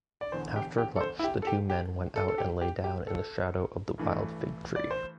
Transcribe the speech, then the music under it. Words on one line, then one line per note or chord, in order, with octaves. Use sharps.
After lunch the two men went out and lay down in the shadow of the wild fig tree.
D5
E1 E2 D3 C5
G4
G4
A4
C5
E4
G4
A4
G4
G4
A4
A4
G4
G4
G4
A4
G2 E3 A3
D5
C5